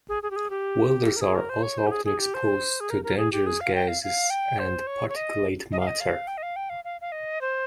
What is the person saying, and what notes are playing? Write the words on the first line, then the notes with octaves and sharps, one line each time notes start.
Welders are also often exposed to dangerous gases and particulate matter.
G#4
G#4
G4
G#4
G4
A#4
G#4
A#4
C5
C#5
C5
G4
G#4
G#4
G4
C5
G#4
A#4
A#4
G#4
G4
G#4
F5
G5
F5
F5
G5
C5
C#5
C#5
D#5
D#5
F5
D#5
F5
G5
D#5
F5
G5
F5
F5
F5
D#5
C5